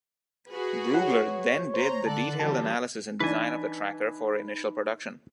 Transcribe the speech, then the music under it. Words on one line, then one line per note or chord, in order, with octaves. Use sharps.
Brugler then did the detailed analysis and design of the tracker for initial production.
F#4 G#4 B4
C#5 F#5
C5 A#5 C6
D3 A4 D5 A5 F#6
F#2 E3 G3 A5
E3 D4 D#4 B4 G#5